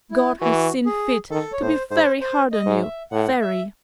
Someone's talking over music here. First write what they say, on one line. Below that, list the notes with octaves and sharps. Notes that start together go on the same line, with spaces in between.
God has seen fit to be very hard on you, very.'
E4
E3 F#4
G#4
D#3 A4
C#5
A2 C5
G#2 C5
C5
D#5
G#2
E5
A2 F#5
E5